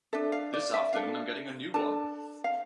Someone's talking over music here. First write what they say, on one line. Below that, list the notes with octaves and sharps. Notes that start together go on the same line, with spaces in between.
This afternoon I'm getting a new one!
D4 A4 E5
F5
D5
E5
D4 A4 F5
D4 A4 A5
F5